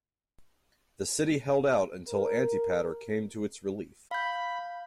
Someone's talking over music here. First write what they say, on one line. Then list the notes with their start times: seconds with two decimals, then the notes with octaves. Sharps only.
The city held out until Antipater came to its relief.
2.08 A#4
4.11 F5 B5 G6